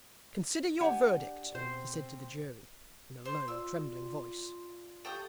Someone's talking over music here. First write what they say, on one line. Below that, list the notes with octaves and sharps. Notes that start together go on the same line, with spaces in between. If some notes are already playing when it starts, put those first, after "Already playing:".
'Consider your verdict,' he said to the jury, in a low, trembling voice.
D4 G4 F#5 G#5
B2 C4 C5
C5 C6
F4 D5 E6
G4 A4 F5 G5 C#6 D#6